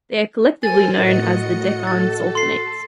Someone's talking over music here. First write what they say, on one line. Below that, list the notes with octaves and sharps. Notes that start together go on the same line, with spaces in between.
They are collectively known as the "Deccan Sultanates".
A4 A#4 C5 G#5 A6 D#7
A2 F#4 D#5 C#7
A4 A6
C6 C7